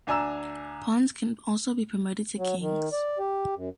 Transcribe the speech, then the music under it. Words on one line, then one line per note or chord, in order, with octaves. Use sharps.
Pawns can also be promoted to Kings.
D2 D4 G#5 A#5 E6 E7
F#3
D#3
D5
G4
F#2